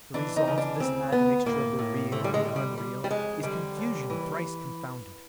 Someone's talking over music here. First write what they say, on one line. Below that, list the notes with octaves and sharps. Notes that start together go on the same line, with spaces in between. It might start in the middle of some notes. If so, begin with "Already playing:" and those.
The result of this admixture of the real and the unreal is confusion thrice confounded.
E3 D4
D#4
C#3
D4
D2 C4
D2 B3
A2 A#3
A2
D3 A3
G3
G#3
G3
G3
G3
G3
F2 G#3
D3 G3
D#2
E3